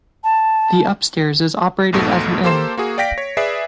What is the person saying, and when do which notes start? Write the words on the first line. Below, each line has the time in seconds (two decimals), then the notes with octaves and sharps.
The upstairs is operated as an inn.
0.23 A5
1.92 B1 F2 G#2 B2 A3
2.43 A#3 G4 A4 C5 C6 E7
2.77 A#3 F#4 G#4
2.98 D5 F5 G5 A#6 B6 D7
3.18 C#5
3.37 G#4 B4 D5 E5 C7